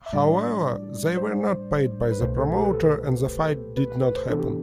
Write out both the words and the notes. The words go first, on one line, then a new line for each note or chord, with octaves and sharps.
However, they were not paid by the promoter and the fight did not happen.
E5
A2 G3 D4 D5
C5
B4
C2 B2 A3 C5
A4
G4
B4
A4
B4
B4
B4
C5
C3 E3 B3 D4 A4
G4